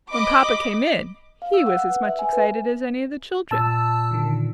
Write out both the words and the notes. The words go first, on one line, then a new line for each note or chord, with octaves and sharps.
When Papa came in, he was as much excited as any of the children.
D#5 B5 D6
F5
E6
F#5
B4
E5
G#5
B4
A#2 A5 E6
D3 D#3